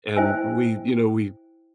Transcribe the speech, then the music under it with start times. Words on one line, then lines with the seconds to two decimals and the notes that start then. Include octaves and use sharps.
and we, you know, we
0.16 E4 C5 E5 G5 G#5 E6